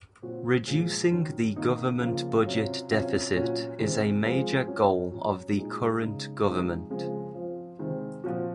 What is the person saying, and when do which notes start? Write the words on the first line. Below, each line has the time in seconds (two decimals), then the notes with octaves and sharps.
Reducing the government budget deficit is a major goal of the current government.
0.22 A#2 F#3 C4 F#4
0.67 A#2 F3 G#3
1.12 D#3 F#3 C#4
1.56 D#3 A#3 D#4
2.00 C#3 F3 A#3 F4
2.46 C3 F#3 C#4 F4
2.90 C3 F#3 C#4 F4
3.34 A#2 F#3 C#4 F#4
3.79 C3 D#3 G#3 C4
4.23 F3 G#3 C4
4.67 F#3 C#4 F#4
5.11 F#3 C#4 F#4
5.57 A#2 G#3 D#4 F#4
6.01 C#3 G#3 D#4
6.46 C3 F3 G#3 D#4
6.90 C#3 F3 G#3 C4
7.34 F3 C4 F4
7.79 C3 D#3 G#3 C4
8.24 A#2 F3 C4 F#4